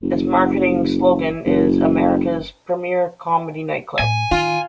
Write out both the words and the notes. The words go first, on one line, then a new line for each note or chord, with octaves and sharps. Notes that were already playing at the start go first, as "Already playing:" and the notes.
Its marketing slogan is America's Premiere Comedy Nightclub.
F#1
F#1
A2 G#5
D#3 F4